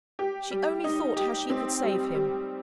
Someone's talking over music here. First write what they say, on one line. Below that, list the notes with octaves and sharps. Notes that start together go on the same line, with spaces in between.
She only thought how she could save him.
G4
G3
D#4
G4
C4
G3
G3